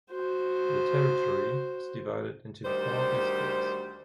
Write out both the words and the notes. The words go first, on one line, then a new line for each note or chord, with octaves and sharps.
The territory is divided into four districts.
F#4 C5
D2 D#3 G3 C5